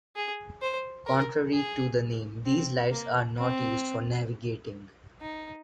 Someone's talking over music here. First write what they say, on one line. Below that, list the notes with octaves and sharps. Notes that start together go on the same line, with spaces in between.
Contrary to the name, these lights are not used for navigating.
G#4
C5
A#4
G#4
C4
A#3
C4
D#4